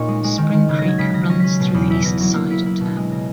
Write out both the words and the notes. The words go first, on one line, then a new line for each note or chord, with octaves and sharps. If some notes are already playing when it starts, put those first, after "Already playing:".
Spring Creek runs through the east side of town.
Already playing: A#2 A#3 C#4 D#4 C#6
G#3
G#3
D#3
D#3
C#3 G#6
A#6
F#3 G#6
C#3 B6
C#3 A#6
C#4 A#6
C#4 B6
B2
E2
E4 B6
E2 A#6
F#3 A#6
A#3
E4 B6
E4
B2
G#3
C#3 A#6